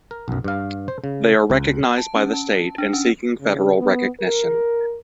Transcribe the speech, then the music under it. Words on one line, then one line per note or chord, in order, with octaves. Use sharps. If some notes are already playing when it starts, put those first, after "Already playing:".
They are recognized by the state and seeking federal recognition.
A#4
B1 F#2
G2 F5
C5
C#3
C#2
A5
C#4
A5
D4
C#4
C#3
B3
A#4